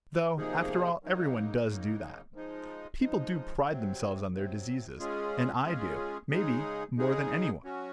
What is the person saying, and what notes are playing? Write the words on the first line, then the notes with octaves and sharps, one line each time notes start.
Though, after all, everyone does do that; people do pride themselves on their diseases, and I do, may be, more than anyone.
C3 F3 A#3 D#4 G#4
C#3 F#3 A#3 D#4
C#3 F#3 A#3 D#4
F3 G#3 D#4
F3 G#3 D#4
C3 F#3 C4
C3 F#3 C4
G#3 C#4 F4 G#4
G#3 C#4 F4 G#4
C#3 G#3 D#4 G#4
C#3 G#3 D#4 G#4
F#3 C#4 F#4